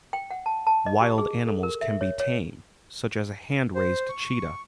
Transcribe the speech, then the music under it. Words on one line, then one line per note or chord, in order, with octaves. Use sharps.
Wild animals can be tame, such as a hand-raised cheetah.
G5
F#5
A5
A5
D#5
G4
G#4
A4
A#4
E5
C#5
C#5
C5
C#6